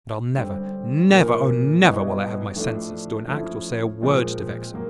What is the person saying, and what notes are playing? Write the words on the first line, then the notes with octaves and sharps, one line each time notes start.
And I'll never--never--oh, never, while I have my senses, do an act or say a word to vex him.
D3 G3 C4
A#2 F3 A#3
B2 G3 B3 E4
A2 F3 A3 D4
F3 A3 C#4 E4
A#2 F3 G#3 C4
F#3 A#3